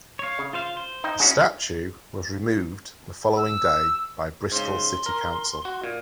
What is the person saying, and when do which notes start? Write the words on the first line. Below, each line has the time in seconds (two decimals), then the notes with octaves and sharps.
The statue was removed the following day by Bristol City Council.
0.19 C#5 F5
0.39 C#3
0.53 F4 C5 F5
0.77 C5
1.04 D#4 D#5 G5
1.20 C#4 D4 E4 F#4 G#4
3.37 E6
4.52 G#2 C#3 C6
5.06 A#4
5.65 F#4
5.84 A#2